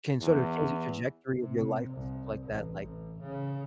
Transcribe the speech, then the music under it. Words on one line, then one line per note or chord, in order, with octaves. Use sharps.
can sort of change the trajectory of your life and stuff like that, like,
E2
C3
C2
A1
A1
C#3